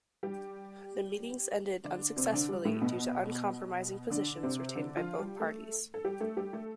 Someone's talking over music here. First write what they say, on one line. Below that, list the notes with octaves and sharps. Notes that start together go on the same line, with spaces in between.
The meetings ended unsuccessfully due to uncompromising positions retained by both parties.
G3 G4
D3 D4
C3 C4
D3 D4
G3
A2 A3
B2 B3
D3 D4
C3 C4
D3 D4
F3 F4
G3 G4
A3 A4
A4
G3 G4
A3 A4
G3 G4
A3 A4